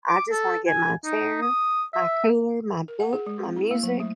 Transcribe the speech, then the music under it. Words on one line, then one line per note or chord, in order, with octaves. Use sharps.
I just wanna get my chair, my cooler, my book, my music,
D6
A4
G#5
D#4
D#6
E5
A#4
F#5
G#4
G#3
C4
E4
A#3
F#3
A3